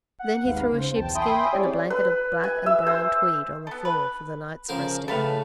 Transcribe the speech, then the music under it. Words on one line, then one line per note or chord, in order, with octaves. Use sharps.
Then he threw a sheepskin and a blanket of black and brown tweed on the floor for the night's resting.
F#5
G#1 D#2 G#2 B4 F5
C#3 C5
B1 E2 G5 A5
E5 G5 G#5 B5 C6 D#6
C4 E4 G4 G#4 C#5 D5
B4
G#5
E5
C5
B3 A4
B4
C#3 F3 A#4
A2 C#3 A4 B4 F5